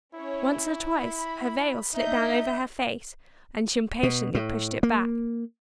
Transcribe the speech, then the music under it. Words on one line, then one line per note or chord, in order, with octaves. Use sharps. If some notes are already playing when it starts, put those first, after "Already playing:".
Once or twice, her veil slipped down over her face, and she impatiently pushed it back.
C#4 E4 C#5
B5
D4 D#4 D#5 E5 G6
B2
A2
A#3